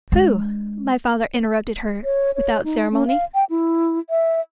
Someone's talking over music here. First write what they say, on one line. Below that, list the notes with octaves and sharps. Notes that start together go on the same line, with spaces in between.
"Who?" my father interrupted her without ceremony.
G#3 D4
C#5
C#5
D#4
C#4
F5
G5
E4
E5